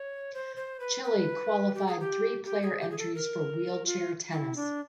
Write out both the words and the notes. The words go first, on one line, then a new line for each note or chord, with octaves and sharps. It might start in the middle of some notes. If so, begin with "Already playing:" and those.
Chile qualified three player entries for wheelchair tennis.
Already playing: C#5
C5
C5
B4
B4
G4
G#4
G4
G4
G#4
G4
G#4
A4
A#4
F4
E4
D4